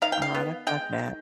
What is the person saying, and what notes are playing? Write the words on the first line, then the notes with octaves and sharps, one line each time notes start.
Alright, I've got that.
D#3 F5
G5
F5
B3
G#3 G5
D#3